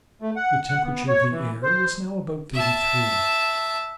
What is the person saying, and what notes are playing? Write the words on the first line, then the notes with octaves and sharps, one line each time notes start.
The temperature of the air was now about thirty-three.
A3
F#5
F#5
B3
C#5
E3
C5
E5 A5